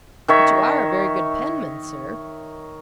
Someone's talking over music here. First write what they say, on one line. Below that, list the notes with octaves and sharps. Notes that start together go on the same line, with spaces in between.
'But you are a very good penman, sir.
D#3 C#5 E5